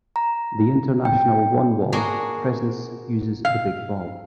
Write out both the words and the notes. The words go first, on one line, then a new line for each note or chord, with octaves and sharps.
The International One Wall presence uses the big ball.
A#5
G5
A#3 D4 F#4 G#4 C6
F5